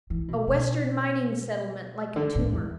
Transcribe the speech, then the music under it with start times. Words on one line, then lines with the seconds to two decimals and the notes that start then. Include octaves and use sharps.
A Western mining-settlement like a tumor.
0.10 E3
0.28 B2
0.47 B2
2.16 D3
2.35 A2
2.53 E2